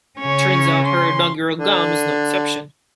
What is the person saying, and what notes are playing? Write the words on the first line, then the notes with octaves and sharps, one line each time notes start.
Turns out her inaugural gown was no exception.
C#3 C#4 C#5
C6
D3